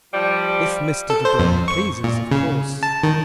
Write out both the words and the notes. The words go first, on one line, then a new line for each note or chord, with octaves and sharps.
If Mr. De Baron pleases, of course.
F3 G3
A4
C5
F2
C#6
A#2
C#3
A5
D#3